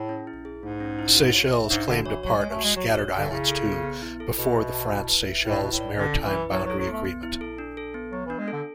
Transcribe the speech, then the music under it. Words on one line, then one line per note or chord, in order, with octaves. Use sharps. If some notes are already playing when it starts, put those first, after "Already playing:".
Seychelles claimed a part of Scattered Islands too before the France-Seychelles Maritime Boundary Agreement.
Already playing: A2 G#4
C#4
E4
G#4
G#2 A3
C#4
E4
F#4
C#5
E5
G#2 D4
D3 F#4
E3 C#5
F#3 C#5
G#3
G#5
A3
G#3 F#4
F#3 F#4
C#5
G#5
D3
C#3 E4
A4
B3
B3
E4
A4
B2 B4
E5
A5
E4
B4
E5
A2 E4
B2 B4
A2
D5
D3 C#4
E4
E3
B4
F#3 E4
F#3
A4
F#3
A3 B3
B3
E4
A4
D4
A4
B3
F#3 B3
E3 D4
G#3
D3 A4